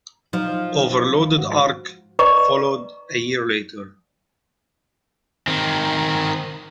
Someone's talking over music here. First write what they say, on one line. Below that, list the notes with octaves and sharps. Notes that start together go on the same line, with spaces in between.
"Overloaded Ark" followed a year later.
F3 F#3 D#4 F6
G#2 F#4
B4 D5 D#5 A#5 C#6
D#3 C4